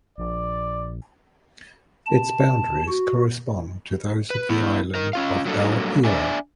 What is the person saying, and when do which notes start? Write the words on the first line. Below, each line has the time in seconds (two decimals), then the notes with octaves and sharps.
Its boundaries correspond to those of the island of El Hierro.
0.18 A#1 D5
2.06 A5
2.89 F#4
4.30 B4
4.49 B3 E4
4.95 D#4 A#4
5.13 C#4 F4 F5
5.45 F#3 G3 A#3 D4 A4
6.05 D4 D5 E5 G#5